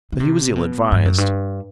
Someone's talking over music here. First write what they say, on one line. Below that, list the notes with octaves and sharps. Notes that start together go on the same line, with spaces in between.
But he was ill-advised.
D#3
C3
B2
G2
F#2
G2